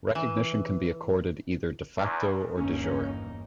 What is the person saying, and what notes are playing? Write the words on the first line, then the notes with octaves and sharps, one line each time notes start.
Recognition can be accorded either "de facto" or "de jure".
E3
E2
G1 E2 A#3 C#4 D#4